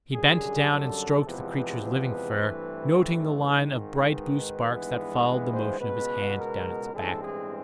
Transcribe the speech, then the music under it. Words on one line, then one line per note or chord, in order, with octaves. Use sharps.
He bent down and stroked the creature's living fur, noting the line of bright blue sparks that followed the motion of his hand down its back.
F#2 D3 G3 G#4
A4
E2 C3 F3 G#3 B3 B4
B4
B4
G2 E3 A3 C4
G#1 G#2 D#3
B4
G#1 G2 E3 G#3 B3
B4
C5
C#2 B2 G#3 B3 B4
A#4
A1 G2 E3 G#3 C4 A4
G#4